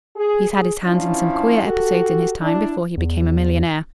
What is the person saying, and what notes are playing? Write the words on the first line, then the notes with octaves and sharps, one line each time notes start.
He's had his hands in some queer episodes in his time before he became a millionaire.
G#4
G#4
F3 C#4 D4 E4 F4
F#4 G4 A4
D4 E4
E2